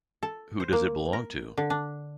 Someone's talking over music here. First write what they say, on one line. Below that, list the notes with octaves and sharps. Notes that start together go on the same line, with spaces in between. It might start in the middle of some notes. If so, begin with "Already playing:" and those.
Who does it belong to?
A4
C5
A#3
A#4
D3
D4